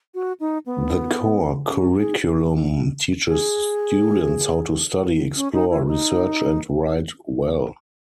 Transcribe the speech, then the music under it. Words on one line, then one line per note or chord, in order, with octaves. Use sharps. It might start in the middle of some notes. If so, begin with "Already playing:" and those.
The core curriculum teaches students how to study, explore, research, and write well.
F#4
D#4
B3
C#4
G#4
G#4
C#4
D#4
E4
D#4